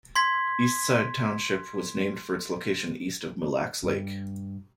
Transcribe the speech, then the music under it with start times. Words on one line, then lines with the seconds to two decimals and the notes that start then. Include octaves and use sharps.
East Side Township was named for its location east of Mille Lacs Lake.
0.16 C6 G#6 B6
3.83 G2